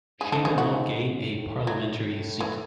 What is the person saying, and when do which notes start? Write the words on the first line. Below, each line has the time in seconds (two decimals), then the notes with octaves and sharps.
She did not gain a parliamentary seat.
0.21 G#2 G#4
0.32 A4
0.45 G#4
0.58 F#4
1.30 A2
1.67 F#3
2.05 A2
2.41 E3